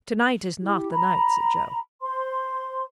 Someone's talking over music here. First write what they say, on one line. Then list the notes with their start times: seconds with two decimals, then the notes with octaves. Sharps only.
"To-night is not the night," said Joe.
0.60 E4 G4
0.92 A#5 B5
2.02 C5 C6